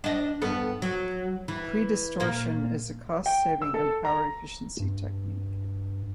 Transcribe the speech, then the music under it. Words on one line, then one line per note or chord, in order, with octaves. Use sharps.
Predistortion is a cost-saving and power efficiency technique.
D4 D#5
G2 B3 A4
F#3
E3
A#2 A#3
G5
E6
A4
A#5
G2